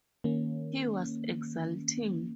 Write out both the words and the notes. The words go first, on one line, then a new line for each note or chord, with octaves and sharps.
He was exulting.
D#3 A#3 C#4